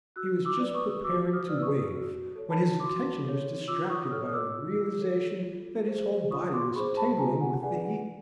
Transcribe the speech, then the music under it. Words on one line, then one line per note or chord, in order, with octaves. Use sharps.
He was just preparing to wave when his attention was distracted by the realization that his whole body was tingling with the heat.
F#4 E6 F#6
D6 E6
B4 D5
C#6 D#6
F#4 D6 E6
D#6 F6
B4 D5
E6
C#6 D#6
F#4
A4 C#5
A5 B5
F#4 C6 D6
A4 C#5
F4 D6 E6
C#6 D#6
A4 C#5 D#6 F6
D6 E6
F4
A4 C#5
F4
G#4 C5
F4 C#6 D#6
C6 D6
G#4 C5 B5 C#6
A5 B5
F4 G#5 A#5
F#5 G#5
G#4 B4 D5 F#5 G#5
F#5